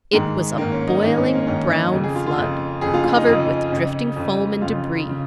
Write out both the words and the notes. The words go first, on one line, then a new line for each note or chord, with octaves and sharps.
It was a boiling brown flood, covered with drifting foam and debris.
G#2 D#3 G#3
G#2 D#3 A#3
C#4
D#4
G#2 D#3 D#4
C#4
A#3
G#2 D#3 C#4
D#4
F2 C#3
G#4
F4
F4
F2 C#3
F2 C#3 G#4
F4
F4
D#4
F2 C#3 D#4
F2 C#3
F2 C#3
F2 C#3 F4
C#3